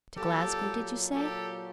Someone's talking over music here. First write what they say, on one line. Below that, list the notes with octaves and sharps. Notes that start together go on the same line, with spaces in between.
To Glasgow, did you say?
A#2 F#3 G4 A4
G4 A4